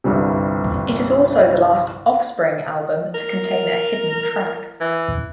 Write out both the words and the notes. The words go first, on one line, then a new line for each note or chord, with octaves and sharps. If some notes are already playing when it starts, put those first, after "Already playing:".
It is also the last Offspring album to contain a hidden track.
G1 C2 G2 C3
A#4
E3